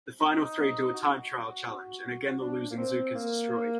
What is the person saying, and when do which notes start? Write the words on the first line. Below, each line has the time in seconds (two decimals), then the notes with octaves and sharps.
The final three do a time-trial challenge, and again the losing zook is destroyed.
0.21 D#4
0.94 F#4
2.41 D4
2.71 A#3
2.77 C4
3.15 A#3